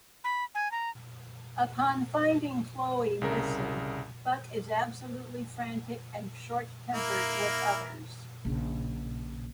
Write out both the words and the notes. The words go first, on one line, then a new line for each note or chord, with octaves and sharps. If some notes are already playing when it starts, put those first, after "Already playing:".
Upon finding Chloe missing, Buck is absolutely frantic and short-tempered with others.
B5
G#5
A#5
C2 C#3 A#4
A#3 E4 A#4
A#1 C#3